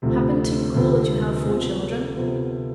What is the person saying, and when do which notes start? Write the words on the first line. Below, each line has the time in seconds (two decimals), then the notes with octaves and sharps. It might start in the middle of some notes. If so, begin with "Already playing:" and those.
Happened to recall that you have four children.
0.02 D2 C3 F3 A3 C4
0.74 D2 C3 F3 A3 C4
1.45 C3 F3 B3
2.17 C3 F3 B3